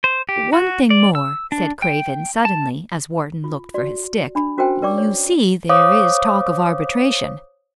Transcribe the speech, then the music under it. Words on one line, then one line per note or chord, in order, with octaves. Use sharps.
"One thing more," said Craven suddenly, as Wharton looked for his stick--"you see there is talk of arbitration."
C5
G4
F#4
D5
E6
D4
G5
A5
F4
F#4 D5
D4 B5
C#4 F#4 A#4 C5 G5 G#5
A#4 C#5 D5 G5 C#6 D6
C#5
C5 C#5 F5 D6 D#6